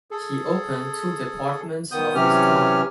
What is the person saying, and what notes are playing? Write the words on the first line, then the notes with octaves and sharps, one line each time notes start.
He opened two departments of his time.
G#4 A4
D#3 B3 D#6 G6
C3 E3 F#3 C#4 G4 F6